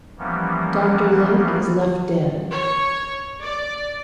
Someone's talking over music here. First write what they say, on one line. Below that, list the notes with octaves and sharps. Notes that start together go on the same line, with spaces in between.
Doctor Link is left dead.
E3 F3 G3 A#3 B3 C#4
C#5
D5